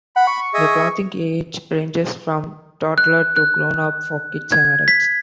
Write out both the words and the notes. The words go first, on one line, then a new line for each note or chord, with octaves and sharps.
The clothing age ranges from toddler to grownup, for kids and adults.
F#5 B5
C#6
G#4 D#5 E5
F#6
F#6
G#6
B6